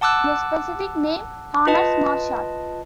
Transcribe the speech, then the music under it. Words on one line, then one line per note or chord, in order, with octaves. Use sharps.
The specific name honours Marshall.
F#5 A5 D6 E6 F#6
F4 B4 D#5 A5